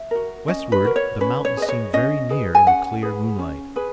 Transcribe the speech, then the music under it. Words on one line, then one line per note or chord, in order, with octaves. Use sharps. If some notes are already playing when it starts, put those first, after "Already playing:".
Westward, the mountains seemed very near in the clear moonlight.
Already playing: E5
F#4 A#4
C#4 D#5
B4
F#4 A#4
C#5
C#4 B4
C#5
G#4 B4 D#5
C#5
C#4 D#5
G#4 B4
G#5
C#4 F#5
G#4 B4
C#4
G#4 B4